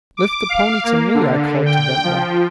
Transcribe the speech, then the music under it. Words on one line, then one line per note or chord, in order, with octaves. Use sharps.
"Lift the pony to me," I called to Ventnor.
D6
F5
A#3
D3
G5
F3